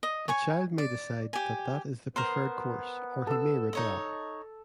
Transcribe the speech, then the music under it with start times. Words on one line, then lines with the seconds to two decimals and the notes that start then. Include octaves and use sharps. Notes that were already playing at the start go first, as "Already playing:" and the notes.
The child may decide that that is the preferred course, or he may rebel.
0.03 D#5
0.28 C#5 G#5 C#6
0.78 D5
1.33 G4 G#5
2.16 B3 A#4 C5 C6
3.27 A4 E6
3.73 D#4 C#5 D#5